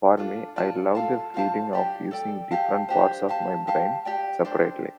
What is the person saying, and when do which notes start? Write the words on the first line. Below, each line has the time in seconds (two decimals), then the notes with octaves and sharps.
For me, I love the feeling of using different parts of my brain separately.
0.17 D4 F4 A4
0.56 F4 D5 A5
0.95 F4 A4 F5 A5
1.34 F4 C5 F5 A5
1.73 D4 G4 D5
2.11 A4 D5 G5
2.51 G4 F5 A5
2.89 D4 G4 C5
3.29 G4 F5 A5
3.67 G4 F5 A5
4.05 G4 D5 G5
4.45 D4 A4 C5